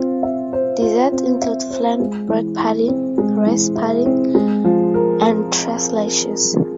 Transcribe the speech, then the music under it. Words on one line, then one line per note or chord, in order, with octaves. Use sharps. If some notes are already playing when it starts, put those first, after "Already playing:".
Desserts include flan, bread pudding, rice pudding, and tres leches.
Already playing: C4 F4
E5
C5
F4
C4
E5
C5
G#3
E3
E4
C4
G#3
E3
E4
C4
G#3
F3
A#4